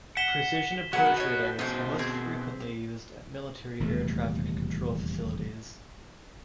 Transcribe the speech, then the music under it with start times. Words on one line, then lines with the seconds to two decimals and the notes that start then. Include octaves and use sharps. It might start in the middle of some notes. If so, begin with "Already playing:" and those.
Precision approach radars are most frequently used at military air traffic control facilities.
0.17 F#5 B6 E7 G7
0.93 F#3 G#3 F#4 B4 F#5
1.17 D#4 C#5
1.59 B2 G#3 D#4 C5
1.99 C4 G#4
3.80 D#1 E2 C3 A3